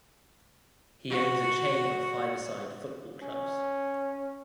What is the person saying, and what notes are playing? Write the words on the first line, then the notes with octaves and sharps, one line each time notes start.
He owns a chain of five-a-side football clubs.
F#4
C#4